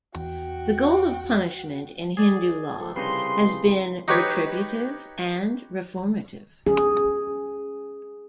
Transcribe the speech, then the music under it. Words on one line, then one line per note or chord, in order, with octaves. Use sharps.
The goal of punishment, in Hindu law, has been retributive and reformative.
E2 F#4 G5
G#4 D5
F3 A4
C2 C#3 D#4 G4 B4 C6
D#4 F#4 G4 B4 C#5
C#4 G#4